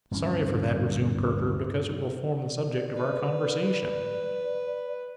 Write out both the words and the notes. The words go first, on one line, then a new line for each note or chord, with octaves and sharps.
'Sorry for that,' resumed Perker, 'because it will form the subject of our conversation.'
D1 G2 E3 C#4
D5
B4